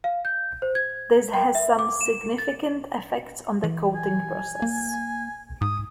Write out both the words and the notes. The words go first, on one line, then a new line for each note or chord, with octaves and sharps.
This has some significant effects on the coating process.
F5
G6
C5
G#6
G5
E5
D6
E7
A6
E3
G#5
A#3
G#2 D#6